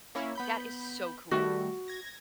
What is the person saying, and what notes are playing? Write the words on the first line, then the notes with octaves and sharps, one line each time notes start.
That is so cool.
A#3 C#4 E4
B3 B5 G6
D#3 G3 A3 F#4
G#6 A#6